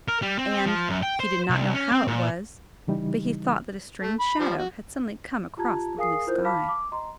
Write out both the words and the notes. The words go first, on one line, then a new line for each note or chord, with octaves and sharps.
And he did not know how it was, but he thought that a strange shadow had suddenly come across the blue sky.
A#4
G3
C4
F3
F#2
G5
C5
C2
C#4
C4
A#2
C#3 E3 G3 D#4
A3
B5
F3 G3
F#4
F4 G4 A5 A#5 G#6
G#4 A#4 F5 G#5 D#6 C7
E4 F4 A#4 C5 G6
F5 A5 B5 D6 F6 B6
D6
D#5 A#5 C6